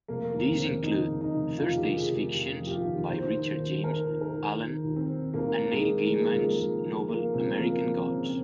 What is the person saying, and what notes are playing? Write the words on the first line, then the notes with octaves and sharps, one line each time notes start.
These include "Thursday's fictions" by Richard James Allen and Neil Gaiman's novel "American Gods".
F1 A#3
D#2
C4
C#3
C#3 D#4
C#3
D#4
F1
C#3 F4
G4
F3
G#4
F1
G4
F3 G4
F3
G4
F4
D#2
D#3 C5
D#3
D#2
D#3 A#4
D#2
A#4
D#2
D#3
D#2
C4
D#3
D#2 A#3
D#3
G#3
D#3
F3 G#3
A#3
C#2 G#3
A#3
F3
F3 G#3
F3 A#3
C#2 C4
F3 A#3
F3
C4
C#3
C4